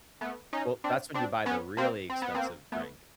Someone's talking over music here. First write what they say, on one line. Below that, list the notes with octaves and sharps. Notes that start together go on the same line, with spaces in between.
Well, that's when you buy the really expensive drink,
A3 B3
C#4 D#4
C4 D4
C4 D4
B3 C#4
A#3 C4
C4
B3
A#3 C4
A3 B3